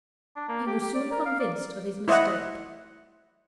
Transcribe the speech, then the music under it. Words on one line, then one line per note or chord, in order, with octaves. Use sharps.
He was soon convinced of his mistake.
D4
A#3
G4
G4
D5
A#4
F5
D5
E4 C5 D#5 E5 F#5